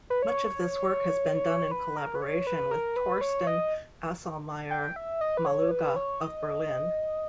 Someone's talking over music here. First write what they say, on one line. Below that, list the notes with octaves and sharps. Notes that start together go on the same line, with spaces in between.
Much of this work has been done in collaboration with Torsten Asselmeyer-Maluga of Berlin.
B4
C#5
B4
A#4
B4
C#5
B4
A#4
B4
C#5
D#5
G5
E5
D#5
B4
C#5
B4
C#5
D#5